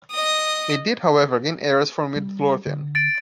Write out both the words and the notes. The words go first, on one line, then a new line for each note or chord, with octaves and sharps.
It did however gain areas from Midlothian.
D#5 D#6
G3
D3
A6 D7